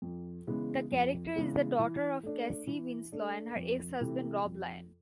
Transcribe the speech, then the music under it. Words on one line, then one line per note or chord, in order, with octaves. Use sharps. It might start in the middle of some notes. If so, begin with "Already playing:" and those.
The character is the daughter of Cassie Winslow and her ex-husband, Rob Layne.
F2
C#3 E3 G#3 B3
F2
C#3 E3 G#3 B3
E3
A3 D4
E3
A3 D4
F2
C3 E3 A3
F2